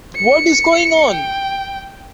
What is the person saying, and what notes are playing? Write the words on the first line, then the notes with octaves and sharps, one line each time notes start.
What is going on?
C#7
G5